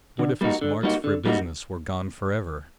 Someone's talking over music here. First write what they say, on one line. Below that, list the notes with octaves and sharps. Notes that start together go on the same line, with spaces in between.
What if his marts for business were gone for ever?
D3
G3 A#3 D#4 F#4
D3
G3 A#3 D#4 F#4
D3
G3 A#3 D#4 F#4